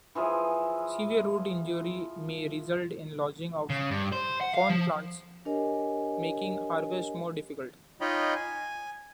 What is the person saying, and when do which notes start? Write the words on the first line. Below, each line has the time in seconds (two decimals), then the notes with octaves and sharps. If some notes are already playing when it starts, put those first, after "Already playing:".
Severe root injury may result in lodging of corn plants, making harvest more difficult.
0.15 E3 F3 G#4 E5
3.70 C#3
3.91 G2
4.12 C5
4.41 F#5
4.54 F5
4.69 F3
5.45 D4 G4 A#4 C#5 D#5 G#5
8.01 D#4 F4 C#5 D#5 G5 B5
8.35 G#5